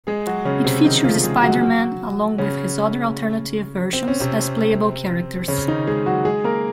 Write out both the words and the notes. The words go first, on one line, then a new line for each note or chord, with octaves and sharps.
It features Spider-Man, along with his other alternative versions, as playable characters.
G#3 G#4
F#3 F#4
C#3 C#4
C3 C4
D#3 D#4
F3 F4
G#3 G#4
F#3 F#4
C#3 C#4
C4
C#4
C3 C4
C#3 C#4
D#3 D#4
G#3 G#4
F#3 F#4
G#3 G#4
A#3 A#4